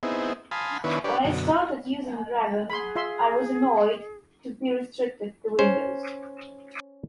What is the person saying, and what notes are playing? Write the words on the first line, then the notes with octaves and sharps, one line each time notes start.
When I started using Dragon, I was annoyed to be restricted to Windows.
B3 C4 D#4 E4 G#4
F5 G#5 A5 B5 C6 D#6
D#3 B3 D4 E4 B4 C#5
D4 G4 B4 C#5 D5
F#2 B2 D3
G#4 B5 C6
F4 E5 C6
C#4 C5